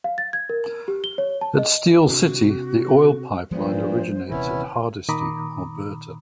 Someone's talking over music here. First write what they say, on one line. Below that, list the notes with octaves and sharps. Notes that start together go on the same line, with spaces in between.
At Steele City, the oil pipeline originates at Hardisty, Alberta.
F5
A6
G#6
A#4
G4
G7
C#5
A5
D#5
C3 C4 D4 F#4
G2 A#2 F3 G#3 B3 C5
D#1 C3 E3 B3 C#4 E4
A#2 D#3 A#5 B5 D6 D#6